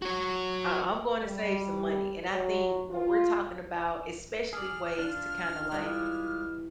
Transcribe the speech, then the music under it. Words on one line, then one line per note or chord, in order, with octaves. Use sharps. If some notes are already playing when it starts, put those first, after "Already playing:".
Uh, I'm gonna save some money and I think when we're talking about especially ways to kinda like,
F#4 C#5
G3
F#3
F4
G#4 D5 F6
D4 F4
E3 G3 G#3 F4 D5